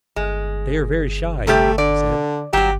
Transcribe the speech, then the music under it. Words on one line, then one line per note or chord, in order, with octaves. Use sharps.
"They are very shy," he said.
G1 G#3
C3 G3 A3 G4
D3 D5
G1 F#3 F#4 G4